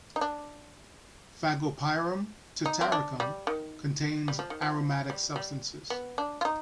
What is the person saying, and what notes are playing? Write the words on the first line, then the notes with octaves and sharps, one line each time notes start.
"Fagopyrum tataricum" contains aromatic substances.
D#4
D4
D#4
C4
D4
G3
D#3
G3
F3
D#3
F3
G3
G3
B3
D4
F4
D#4